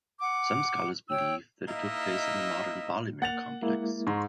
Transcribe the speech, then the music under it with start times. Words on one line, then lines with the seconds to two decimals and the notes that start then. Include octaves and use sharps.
Some scholars believe that it took place in the modern Balymer complex.
0.20 F#5 D6
1.10 C#5 G5 E6
1.68 A#3 D#4 E4 D#5 E5
3.22 A#3 F#5 A6 F7
3.62 G#3 A#3 E4
4.07 G#2 A#5 C6 C#6